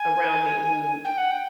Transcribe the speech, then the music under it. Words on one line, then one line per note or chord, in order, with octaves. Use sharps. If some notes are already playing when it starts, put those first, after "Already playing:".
around me who
Already playing: G#5
G5
F#5
G5